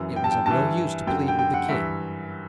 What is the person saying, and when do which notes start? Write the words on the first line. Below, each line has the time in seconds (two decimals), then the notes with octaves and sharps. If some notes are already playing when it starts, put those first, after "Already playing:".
It was of no use to plead with the king.
Already playing: F#2 E3
0.16 G5
0.24 A5
0.31 G5
0.46 G2 E3 A5
1.07 F#2 G5
1.12 D3
1.28 G5
1.39 G5
1.54 F#5
1.69 G2 E3 E5